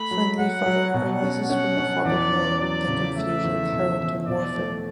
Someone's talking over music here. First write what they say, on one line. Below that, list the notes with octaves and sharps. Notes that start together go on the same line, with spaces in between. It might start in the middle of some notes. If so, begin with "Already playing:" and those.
Friendly fire arises from the "fog of war" - the confusion inherent in warfare.
Already playing: A3 B5
F#3
F#3 F#5
F#3
B2 F#5
C#4
C#4 F#5
C#4
E2 D5
C#4
F#3 D5
C#3
A3 E5
E2
B2
E2
B2 D5
A3